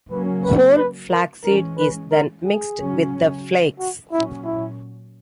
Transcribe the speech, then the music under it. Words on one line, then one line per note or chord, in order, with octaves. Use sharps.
Whole flaxseed is then mixed with the flakes.
C#3 F#3 A#3 C#4 B4
B4
B4
A#4
E3 G#3 C#4 A#4
B4
A#4
G#4
C#3 F#3 C#4
F#4
A#2 F#3 C#4 E4
E4